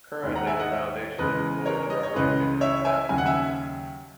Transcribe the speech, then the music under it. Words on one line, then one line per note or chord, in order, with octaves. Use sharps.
Currently the Foundation employs roughly fifty staff members.
D#2 D#3 G#3
F#5 A#5
E5 G#5
D#5 F#5
C#5 E5
E2 C#3 G#3 B4 D#5
A#4 C#5
D#5
C#5
C#2 C#3 E3 G#3 B4 D#5
C#5 E5
E5 G#5
D#2 C#3 F#3 G#5
F#5
E5 G#5